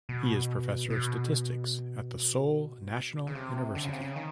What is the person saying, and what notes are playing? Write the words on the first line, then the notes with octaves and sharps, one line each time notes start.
He is Professor of Statistics at the Seoul National University.
B2
B2
C#3
C3
D3
C#3
C3
C#3
D#3